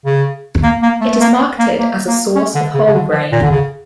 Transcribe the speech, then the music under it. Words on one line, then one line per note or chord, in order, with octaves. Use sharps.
It is marketed as a source of whole grain.
C#3
A#3
A#3
A3
A3
A#3
A#3
A#3
A#3
C#4
D3
C#3
C#3
D3
F3
A#2
D3
C#3